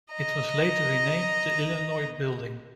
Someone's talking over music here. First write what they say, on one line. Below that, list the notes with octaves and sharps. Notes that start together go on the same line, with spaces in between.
It was later renamed the Illinois Building.
D#5 A#5